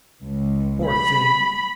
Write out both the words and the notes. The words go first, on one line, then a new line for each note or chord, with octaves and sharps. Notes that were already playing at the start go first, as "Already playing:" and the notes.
Poor thing!
C#2
B5